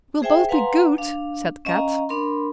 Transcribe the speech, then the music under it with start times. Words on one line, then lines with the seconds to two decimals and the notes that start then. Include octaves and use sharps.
"We'll both be good," said Kat.
0.22 G#4 C5 E5 G5 G#5
0.49 B4 F5 F#5 G#5 A#5 C6
0.98 D4 F5
1.65 C#4 D#5 F5 G#5 A#5
2.09 D4 A#4 B5 C6